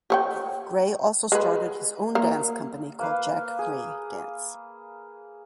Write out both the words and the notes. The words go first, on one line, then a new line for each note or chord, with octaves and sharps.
Gray also started his own dance company called Jack Gray Dance.
G4 C#5 G5
G#3 B4
A#3 A#4
A#3 B4 F5
G#4